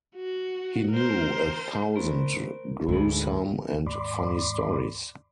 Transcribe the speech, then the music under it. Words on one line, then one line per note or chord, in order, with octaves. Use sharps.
He knew a thousand gruesome and funny stories.
F#4
A#4 C5
A#4 C5
D2 G#2 D3 G#3 B4
D#2 G#2 D5 B5 C6 D6